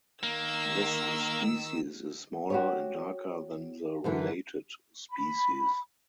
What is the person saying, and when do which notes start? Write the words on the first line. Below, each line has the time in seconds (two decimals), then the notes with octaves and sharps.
This species is smaller and darker than the related species.
0.23 D#3 A#3 E6
2.50 F#4 G4 C#5
4.04 F#2 D3 E3
5.10 B5